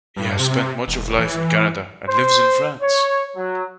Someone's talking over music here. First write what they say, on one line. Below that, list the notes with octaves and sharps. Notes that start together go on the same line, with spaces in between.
He has spent much of life in Canada and lives in France.
G2
C3
E1
E3
C5
C#5
F#3